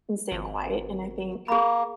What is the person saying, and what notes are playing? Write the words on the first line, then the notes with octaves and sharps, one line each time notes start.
and staying quiet, and I think,
G#1
A#3 G#4 B5